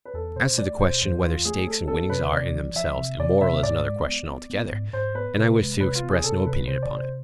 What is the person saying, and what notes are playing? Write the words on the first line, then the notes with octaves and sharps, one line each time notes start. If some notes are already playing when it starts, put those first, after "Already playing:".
As to the question whether stakes and winnings are, in themselves, immoral is another question altogether, and I wish to express no opinion upon it.
B4
E2 A4
B2 C5
A3 D5
B2 C5
E2 C5
E2 F4
A3 G#4
A3 A4
B3 A4
C3 B4
C3 D5
F3
F3 E5
C3
C3 D5
C3 E5
G#2 D5
G#3
B3
B3
B3
G#2
G#2 C5
B3 B4
C3
G#3
C3 B4
F4
B3
G#4
C3 A4
C3 B4
C3 C5
D5
C3
C5